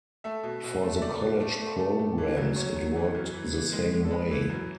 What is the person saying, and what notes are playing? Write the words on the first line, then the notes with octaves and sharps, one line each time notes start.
For the college programs, it worked the same way.
A3 E5
B2
B2
A3
E5
A3 D5
B2
A3
A3
A3
A3
E3
F#2
F#2 C#5
F#2
E3
F#2
E3
E3
G#3
G#3
A4
G#3 B4
E3
F#2